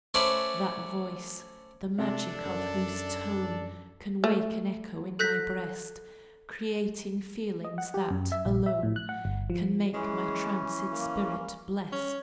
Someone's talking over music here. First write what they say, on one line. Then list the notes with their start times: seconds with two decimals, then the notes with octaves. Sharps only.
That voice, the magic of whose tone Can wake an echo in my breast, Creating feelings that, alone, Can make my tranced spirit blest.
0.14 A3 C#4 B4 C5 D5
1.98 C3 D4 A4 D5
2.45 F#2
4.24 A3
5.19 A4 F#6 G6 A#6 B6
7.64 D#5
7.78 F#5
7.94 G4
8.10 F#2
8.32 E5
8.46 A#1
8.66 E5
8.83 A2
8.96 F#6
9.09 F#5
9.25 G1
9.50 F3
9.94 E3 G#3 C#4
10.92 A#3
11.92 C#4